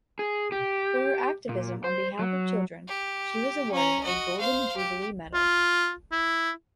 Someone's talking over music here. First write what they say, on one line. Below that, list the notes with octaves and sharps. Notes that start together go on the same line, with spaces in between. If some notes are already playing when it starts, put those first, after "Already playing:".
For her activism on behalf of children, she was awarded a Golden Jubilee Medal.
G#4
G4
A#2
C5
F#3
G4
C#4 A#5
F#4 D#5
C5 F5
G4
F4
E4